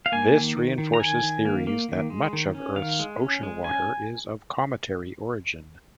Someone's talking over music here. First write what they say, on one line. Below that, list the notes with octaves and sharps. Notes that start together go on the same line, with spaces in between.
This reinforces theories that much of Earth's ocean water is of cometary origin.
F5
A#3 G#5
D#3
D#3
D#3
A#5
D#3 G#5
D#3
A#3
A#3
D#3
G#3
D#3
C#4
D#3 F5
G#3
C#4
G#3
C#4 G#5